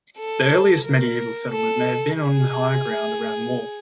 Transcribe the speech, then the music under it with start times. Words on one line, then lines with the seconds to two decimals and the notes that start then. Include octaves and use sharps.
The earliest medieval settlement may have been on the higher ground around Wall.
0.19 A4
0.85 A#4
1.51 A4
2.16 G#4